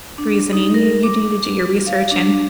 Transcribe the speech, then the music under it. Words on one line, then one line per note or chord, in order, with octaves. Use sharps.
reasoning, you you do need to do your research, and
D4
D#4
A#4
D6
F5
D4